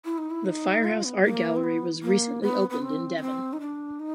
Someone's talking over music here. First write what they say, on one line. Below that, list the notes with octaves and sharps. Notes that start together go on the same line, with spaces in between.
The Firehouse Art Gallery was recently opened in Devon.
E4
D#4
E4
D#4
F4
B3
A#3
C4
B3
A#3
B3
B3
C4
C#4
C4
D#4
D4
D#4